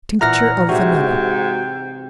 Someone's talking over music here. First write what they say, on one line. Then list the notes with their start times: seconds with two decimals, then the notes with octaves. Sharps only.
Tincture of Vanilla.
0.21 A#2 E3 F#5 A#5 F6 A#6
0.69 G#2 C3 F#4 G5